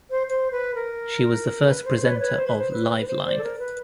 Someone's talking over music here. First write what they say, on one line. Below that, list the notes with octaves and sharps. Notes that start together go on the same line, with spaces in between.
She was the first presenter of "Liveline".
C5
C5
B4
A#4
B4
C5
C5
B4 C#5
D5
B4 C#5
C5
B4
C5
B4
B4
C5
C5 D5
A4
A#4
B4